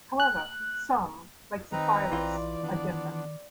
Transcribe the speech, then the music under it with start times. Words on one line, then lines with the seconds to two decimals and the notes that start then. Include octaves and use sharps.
However, some - like Zefiris - are different.
0.20 F#6
1.72 D#3 C4 D#4 B4 A#5
2.12 A#1 E3 F4 D5
2.63 D#3 B3 D4